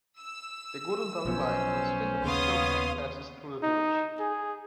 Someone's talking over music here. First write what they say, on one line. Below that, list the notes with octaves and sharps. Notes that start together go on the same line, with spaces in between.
The Golden Valley Line from Swindon to Cheltenham passes through the village.
E6
B1 F3 B3 C#4 C5
D#2 C#3 B3 C#5 F5 C6 D#6
D#4
G#4